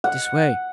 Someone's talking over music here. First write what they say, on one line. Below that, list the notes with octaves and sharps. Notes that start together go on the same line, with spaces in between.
"This way."
F#5